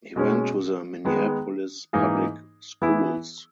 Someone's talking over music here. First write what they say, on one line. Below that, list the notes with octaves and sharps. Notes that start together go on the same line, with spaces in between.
He went to the Minneapolis public schools.
B2 G#3 C#4
D#3 G#3 B3
G#2 E3 A#3 D#4 G#4
E3 B3 E4 G#4